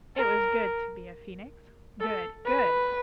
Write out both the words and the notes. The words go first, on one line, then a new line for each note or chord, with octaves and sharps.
It was good to be a Phoenix, good, good!
A#4
A4
B4